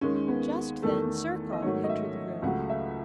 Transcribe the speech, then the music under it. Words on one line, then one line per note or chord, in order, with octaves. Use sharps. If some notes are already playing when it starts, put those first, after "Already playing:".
Just then Zherkov entered the room.
D#2 D#3 G#3 C#4
B3
E2 D#3 A3 A4
D#5
G#2 D#3 F#3 A3 C#5
D#5
E5
C#2 C#3 F#3 A3 F#5
E5